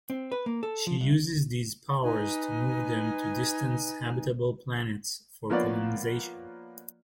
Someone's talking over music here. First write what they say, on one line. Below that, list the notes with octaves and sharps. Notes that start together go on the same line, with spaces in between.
She uses these powers to move them to distant habitable planets for colonization.
C4
B4
A#3
A4
F3
C2
D#4 B4 G#5
F3 A#3 B3 F4 C#5 D5